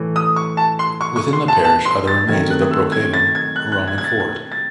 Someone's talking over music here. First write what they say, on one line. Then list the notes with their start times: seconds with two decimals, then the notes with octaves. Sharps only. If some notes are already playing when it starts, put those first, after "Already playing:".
Within the parish are the remains of Brocavum Roman fort.
Already playing: A2 E3 A3
0.16 D#6
0.36 C#6
0.57 A5
0.79 C6
1.01 C#6
1.16 C#6
1.33 C6
1.48 A5
1.64 A5
1.85 C6
2.07 A6
2.28 D#3 F#3 A3 C4 G#6
2.50 F#6
2.71 E6
2.92 G#6
3.14 A6
3.35 G#6
3.56 F#6
3.72 F#6
3.87 G#6
3.98 G#6
4.04 A6
4.20 G#6
4.52 A6